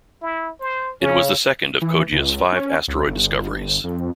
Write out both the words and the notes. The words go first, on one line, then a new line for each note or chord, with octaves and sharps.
It was the second of Coggia's five asteroid discoveries.
E4
C5
C#3 C#4
E3
C#2
C#4
C#2
G1
F2